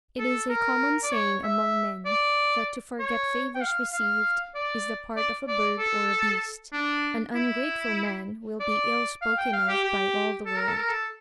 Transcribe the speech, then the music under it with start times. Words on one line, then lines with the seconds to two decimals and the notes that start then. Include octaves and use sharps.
It is a common saying among men that to forget favours received is the part of a bird or a beast: an ungrateful man will be ill spoken of by all the world.
0.19 A4
0.49 A#4
1.03 D5
1.12 C#5
1.43 E5
2.05 D5
3.00 C#5
3.55 G5
3.61 F5
3.93 F5
4.55 D5
5.16 D5
5.48 D5
5.79 A4
6.73 D4
7.35 E4
8.60 D5
9.22 F5
9.38 G5
9.53 F5
9.68 G4
9.84 G4
10.46 A4
10.57 A#4
10.67 A4
10.78 A#4
10.89 A4